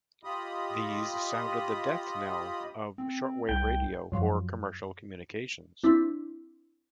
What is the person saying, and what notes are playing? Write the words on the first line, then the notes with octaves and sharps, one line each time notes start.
These sounded the death knell of shortwave radio for commercial communications.
F4 G4 D#5 B5 D#6
C4
C2 G5
F#2 F3 F#3
C4 D4 E4